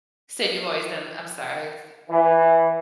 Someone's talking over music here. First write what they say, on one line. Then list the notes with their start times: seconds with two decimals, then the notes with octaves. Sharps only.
Said you've always done I'm sorry, it's
2.09 E3